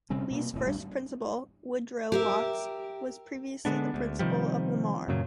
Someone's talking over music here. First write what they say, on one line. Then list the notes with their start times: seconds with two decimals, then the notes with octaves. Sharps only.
Lee's first principal, Woodrow Watts, was previously the principal of Lamar.
0.10 C3 G3 C4 C#4
0.31 B2 A#3
0.54 F1 A2
0.65 G#1 G3 D4
2.12 G4 A#4 E5
3.65 D3 G#3 B3 D4
3.94 D2
4.19 C3 D#3 F3 G3
5.08 F#2 A#2 C#3 F#3